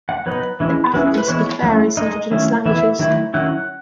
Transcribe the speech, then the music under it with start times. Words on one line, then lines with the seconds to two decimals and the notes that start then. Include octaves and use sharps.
The Africans speak various indigenous languages.
0.09 F#5
0.26 F#3 B3 D#4 B4
0.60 E3 G#3 C#4 E4
0.94 F#3 C#4 E4 B4
1.06 G#4
1.18 B4
1.28 E3 G#3 B3 E4 C#5
1.63 F#3 A3 C#4 E4
1.97 G#3 D#4 D#5
2.31 D#3 F#3 A3 C#4 E4
2.66 E3 B3 E4 E5
2.99 D#3 F#3 A3 E4
3.34 D#3 F#3 C#4 E4 F#5